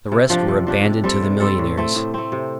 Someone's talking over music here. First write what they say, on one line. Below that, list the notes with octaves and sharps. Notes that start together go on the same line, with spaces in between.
The rest were abandoned to the millionaires.
C3
F3 D4 G4
C3
F3 D4 G4
C3
G3 C4 A4
C3
G3 C4 A4
A2
A3 C4
A2
A3 C4
C3